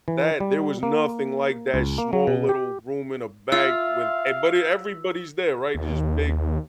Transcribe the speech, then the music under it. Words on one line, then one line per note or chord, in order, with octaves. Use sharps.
that there was nothing like that small little room in a back with e but it everybody's there, right? Just big,
E3
G3
A#3
C#2
A#3
F#3
B2
G4
F4 E5 F5 E6
D#2